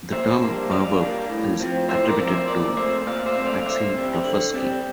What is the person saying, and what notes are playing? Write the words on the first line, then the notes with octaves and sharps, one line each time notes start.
The term perverb is attributed to Maxine Groffsky.
A#2 C5 E5
G3 A#3 D4
A#2 D5 F5
G3 A#3 D4
A2
F3 C4
A2 C5 E5
A#4 D5
F3 C4
C5 E5
A#2 A#4 D5
A3 C4 C5 E5
A#2 D5 F5
C5 E5
A3 C4
D5 F5
D3 C5 E5
G3 C4
D3
G3 C4